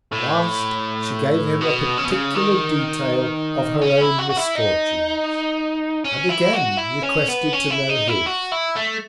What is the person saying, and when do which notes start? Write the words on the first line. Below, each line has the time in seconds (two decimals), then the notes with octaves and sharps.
At last, she gave him a particular Detail of her own Misfortunes, and again requested to know his.
0.13 A2
1.61 B2
1.98 C#3
2.05 B2
2.12 C#3
2.35 D#3
3.82 C#4
4.02 E4
4.19 F#4
4.30 F#4
4.38 E4
4.56 D#4
6.05 C#4
6.30 E4
6.54 F#4
6.78 E4
7.03 C#4
7.28 B3
7.53 C#4
7.71 E4
7.90 D#4
8.08 E4
8.26 F#4
8.51 E4
8.76 A3